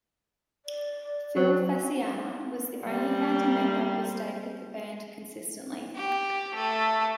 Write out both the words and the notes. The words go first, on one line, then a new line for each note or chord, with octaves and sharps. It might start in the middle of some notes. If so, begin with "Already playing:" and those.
Phil Fasciana was the only founding member who stayed with the band consistently.
D5
F#3
G3 A#3 C4
G4
A3